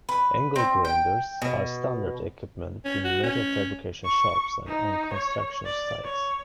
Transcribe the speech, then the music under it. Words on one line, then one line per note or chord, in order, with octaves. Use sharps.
Angle grinders are standard equipment in metal fabrication shops and on construction sites.
B4
C4
G5
B2
C#4
F#4
C#4
C#6
D#4
C#5
D5
C#5